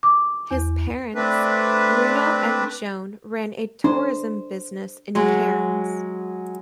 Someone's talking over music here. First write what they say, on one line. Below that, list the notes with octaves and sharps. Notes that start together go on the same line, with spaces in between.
His parents, Bruno and Joan, ran a tourism business in Cairns.
D6
E2
A3 C4 D4 B4
D4 C5
F#3 G#3